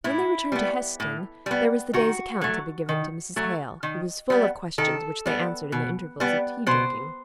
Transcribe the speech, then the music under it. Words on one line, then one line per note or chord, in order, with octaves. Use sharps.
When they returned to Heston, there was the day's account to be given to Mrs. Hale, who was full of questions which they answered in the intervals of tea-drinking.
A2 E4
G3 B3
A2
G3 B3
D#3 F#4
F#3 A3
D#3
F#3 A3
D#3
G3 B3
D#3 A4
G3 B3
B2
G3 B3
B2 C5